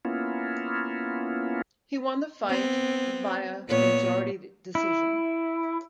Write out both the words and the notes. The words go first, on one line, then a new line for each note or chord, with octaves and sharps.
He won the fight via majority decision.
A#3 B3 C#4 E4 F4
B3 C4
A#2 B3 C#5
E4